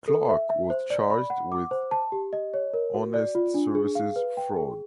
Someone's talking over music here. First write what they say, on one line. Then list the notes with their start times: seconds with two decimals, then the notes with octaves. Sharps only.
Clark was charged with "honest services fraud".
0.08 A4
0.29 E5
0.50 E5
0.70 C5
0.90 D5
1.10 B5
1.30 F#5
1.52 D6
1.71 C5
1.91 A5
2.12 G4
2.33 D#5
2.54 C#5
2.74 A#4
2.94 F#4
3.14 D5
3.35 F4
3.54 D4
3.75 G#4
3.95 F5
4.16 B4
4.37 G5
4.56 G#4